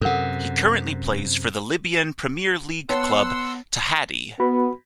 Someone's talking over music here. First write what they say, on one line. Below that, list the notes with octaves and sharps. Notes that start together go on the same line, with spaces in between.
He currently plays for the Libyan Premier League club Tahaddy.
F#2 C3 A4 A#4 F#5
B3 C#5 F#5 G5 A5 C6 E6
B3 F#4 B5